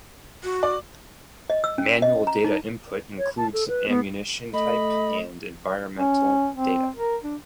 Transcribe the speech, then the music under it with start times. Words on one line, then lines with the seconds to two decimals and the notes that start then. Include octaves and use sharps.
Manual data input includes ammunition type and environmental data.
0.43 F#4
0.63 D5
1.50 D#5
1.64 E6
1.78 C#4
2.02 D#5
2.27 A#5
2.44 D#4
3.18 C#5
3.37 A5
3.53 A4
3.68 B4
3.89 B3
4.53 A3 D#5 B5
5.96 C#4
6.55 C4
6.96 A#4
7.23 D4